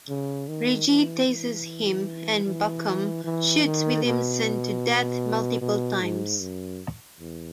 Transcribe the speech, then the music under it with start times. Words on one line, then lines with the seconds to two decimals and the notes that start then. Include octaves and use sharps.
Reggie tases him and Bucum shoots Williamson to death multiple times.
0.09 C#3
0.48 D#3
0.88 E3
1.27 E3
2.45 E3
3.24 E3
3.64 D#3
4.04 B2
5.61 B2
6.01 G#2
6.41 F#2
7.20 E2